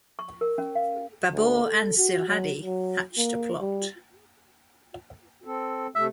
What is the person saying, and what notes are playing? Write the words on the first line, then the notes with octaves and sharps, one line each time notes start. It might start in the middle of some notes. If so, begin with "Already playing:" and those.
Babur and Silhadi hatched a plot.
C#6
A#4
C#4
F5
D2
A4
F#4
F#3
F#3
A#3
G3
C4 A4
C3 A3 E5